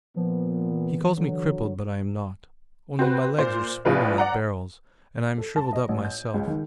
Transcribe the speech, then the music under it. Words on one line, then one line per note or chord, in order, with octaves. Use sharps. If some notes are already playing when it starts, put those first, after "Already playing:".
He calls me crippled, but I am not, only my legs are swollen like barrels, and I am shriveled up myself.
A#2 F3 B3
E3
D3 F#3
C4 F#4 B4
A#2 C5
A#1 A2 F3 B4 F5
D5 F#5 A#5
A4
A5
D#5
A1
G6
C#2
D#3